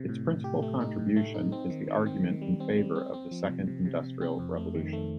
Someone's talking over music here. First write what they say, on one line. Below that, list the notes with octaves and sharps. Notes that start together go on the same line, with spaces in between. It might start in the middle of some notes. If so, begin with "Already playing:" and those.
Its principal contribution is the argument in favor of the Second Industrial Revolution.
Already playing: C3
A2
A2
G4
A3
D#4
A2
A3
D#4
C4
D#3
D#3
C4
D#3
G3
C4
G3
C4
C4
F3
C3
C3
C3
C3
C4
F2
A3
D#3
A3